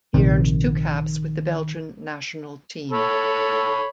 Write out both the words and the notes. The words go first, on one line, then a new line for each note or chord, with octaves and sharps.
He earned two caps with the Belgian national team.
A#1 C3 D#3
A4 C#5 B5